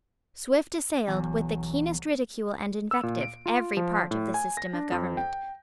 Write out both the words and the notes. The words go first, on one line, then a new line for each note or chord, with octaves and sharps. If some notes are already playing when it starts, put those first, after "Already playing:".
Swift assailed, with the keenest ridicule and invective, every part of the system of government.
B1 E2 F#3
E6
A#2
D7
F4
F3
A2
G#5
A#6
D4
F2
G5